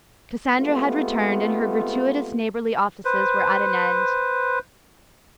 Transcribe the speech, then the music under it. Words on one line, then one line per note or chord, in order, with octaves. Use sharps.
Cassandra had returned, and her gratuitous neighborly offices were at an end.
G#3 A3 B3 C4 F4 G4
B4 C5